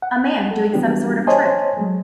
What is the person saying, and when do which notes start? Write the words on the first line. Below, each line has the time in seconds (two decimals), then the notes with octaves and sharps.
A man doing some sort of trick.
0.02 F#5
0.51 A4 F#5
0.73 E3 G3 B3 D4 F#4 G4
1.27 C5 C#5 D#5 G#5 A5 C6
1.77 F#3 G#3 A3